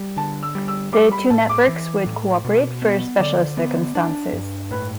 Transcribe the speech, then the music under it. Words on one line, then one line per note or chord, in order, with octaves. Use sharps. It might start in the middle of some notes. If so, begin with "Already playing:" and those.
The two networks would cooperate for special circumstances.
Already playing: G3
D3 A5
E6
G3
E6
G3 D6
B5
A2 A5
D6
E3
A2
B2
B3
D3 D5
B3
D4
G2
A2 B4